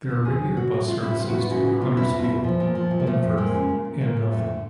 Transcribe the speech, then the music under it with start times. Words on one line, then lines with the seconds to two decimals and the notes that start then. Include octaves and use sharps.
There are regular bus services to Huddersfield, Holmfirth and Meltham.
0.09 D3
0.25 F2 G#4
0.41 F#3
0.56 D2 F#4
0.71 E3
0.88 G#3 F4
1.03 C3 E4
1.19 E3 F4
1.30 F#4
1.34 E3 F4
1.50 C#3 F#4
1.66 E3
1.81 B2 F4
1.97 E2 E4
2.13 B2
2.19 F4
2.24 E4
2.29 E2
2.44 F3
2.60 A#2
2.75 F3
2.91 A#2
3.00 A#3
3.06 F3 A3
3.23 F2
3.37 G#3 A#3
3.54 C#3
3.69 A#2
3.85 A#2
4.01 A#2 A#3
4.17 A#2
4.31 F2 A3
4.47 D3